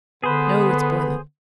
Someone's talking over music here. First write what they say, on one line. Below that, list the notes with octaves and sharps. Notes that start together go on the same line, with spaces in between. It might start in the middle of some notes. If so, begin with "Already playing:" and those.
No, it's boiling.
D3 B3 G#4 B4 C5